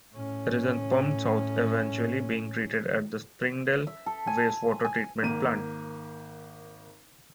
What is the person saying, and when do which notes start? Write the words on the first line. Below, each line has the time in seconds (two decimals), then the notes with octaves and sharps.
It is then pumped south, eventually being treated at the Springdale Wastewater Treatment Plant.
0.13 A2 C#4
3.87 E5
4.06 A4
4.27 G#5
4.85 G#5
5.23 G#1 A#3 D#7